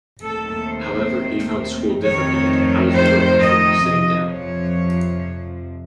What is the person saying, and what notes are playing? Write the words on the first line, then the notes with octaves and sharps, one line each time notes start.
However, he found school difficult: I was never comfortable sitting down.
D#2 D#3 A3 C4 A4
C5
F2 D#3 A3 C4 C#5
C5
D#5
F2 C3 F3
C#5